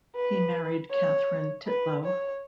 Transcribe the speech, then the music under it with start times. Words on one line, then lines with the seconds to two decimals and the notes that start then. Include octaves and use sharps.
He married Catherine Titlow.
0.16 B4
0.91 C#5
1.67 B4
2.04 C#5